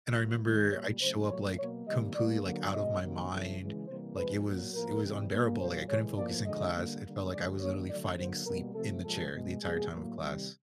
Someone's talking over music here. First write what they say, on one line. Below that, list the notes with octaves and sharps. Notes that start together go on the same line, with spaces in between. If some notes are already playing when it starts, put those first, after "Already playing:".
and I remember, I'd show up, like, completely, like, out of my mind, like, it was it was unbearable, like, I couldn't focus in class, it felt like I was literally fighting sleep in the chair the entire time of class.
A2 F#3 A#3
D#3 G#3
A#2 G3 A#3 C#5
C#3 F#3 A3 C5
A#2 F#3 A3 C#5
B2 F#3 A#3 C#5
C3 D#3 G3 A#3 D#5
A#2 G3 A#3 D5
D3 F#3 A#3
B2 G#3 D#5
C3 D#3 F#3 A#3
C3 F3 A3
C#3 E3 G#3
C3 E3 G3 A#3 C5
C3 F3 G#3 B4
A#2 F#3 A#3
A2 F3 A#3 A#4
C3 E3 G3
A#2 G3 A#3
A#2 F#3 A#3 C5
A2 E3 G#3 C#5
A2 F3 A#3 D5
D3 F3 G#3 D#5
D3 G3 A#3
D3 G3 A#3
D3 F3 G#3 D5
D#3 G3 A#3 C#5
D3 F#3 A3 D5
D3 F#3 A#3 C5
B2 G3 A#3 A#4
C3 F3 A3 A4
A#2 F3 G#3 A4
B2 G#3
B2 G3 A#3 G#4
A2 F#3 A#3
C3 D#3 G3